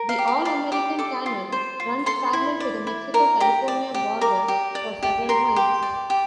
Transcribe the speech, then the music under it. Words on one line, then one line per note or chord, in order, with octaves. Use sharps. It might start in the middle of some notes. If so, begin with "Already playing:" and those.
The All American Canal runs parallel to the Mexico California border for several miles.
Already playing: A#4
F5
G4
F5
D5 F5
G4 D6
A4 D6
F4
C5
F4
A4 C6
E4
D5
E4
A#4 A#5
G4 A#5
D5
G4
A#4 D6
G4
D5
G4
A#4 C6
G4
D5
G4